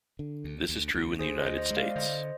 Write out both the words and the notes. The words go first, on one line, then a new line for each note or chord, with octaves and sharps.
This is true in the United States.
D3
D2
D2
D2
D2 G#4 C5
C5 D#5
D2
C5 D#5
G#3
D5 F5
D3 C5 D#5